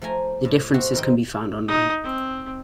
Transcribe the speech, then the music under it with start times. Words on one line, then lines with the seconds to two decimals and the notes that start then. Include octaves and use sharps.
The differences can be found online.
0.02 F3 A3 G5 G#5 A#5
0.45 A2 A5
0.74 A3 C4 F#4 G4
0.94 F2 G#2 D#3 C4 G5
1.68 D#4
2.04 C4